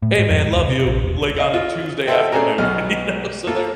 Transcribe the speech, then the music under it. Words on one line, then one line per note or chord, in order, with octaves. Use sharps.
"Hey, man, love you," like on a Tuesday afternoon, you know? So they're,
A2
G#2
F2
D1
C3
A#1
E1
D#5 F5
F4
A4 C5 E5 G5
C#4 G#4 A4 D5 G#5 A#5
B1 B2 F6
A#3 F4 A4 A#4